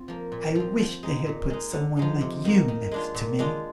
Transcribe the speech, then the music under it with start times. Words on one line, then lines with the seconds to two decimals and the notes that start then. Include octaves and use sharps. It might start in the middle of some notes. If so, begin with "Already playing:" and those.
"I wish they had put some one like you next to me."
Already playing: C4 F4
0.08 F3 A#3
0.32 A#2
0.55 F3 C4
0.79 F3
1.03 G#3 D#4
1.26 A#2
1.50 G#3 D#4
1.73 D3
1.97 F3 G#3 D#4
2.21 C3
2.45 D#3 A#3
2.68 D#3
2.91 G#3 D4 F4
3.15 A#2
3.39 G#3 D4 F4